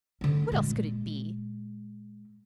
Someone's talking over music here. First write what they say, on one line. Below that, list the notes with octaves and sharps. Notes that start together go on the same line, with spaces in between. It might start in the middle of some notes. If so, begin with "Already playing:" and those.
What else could it be?
D3 C#4
A#2 G#3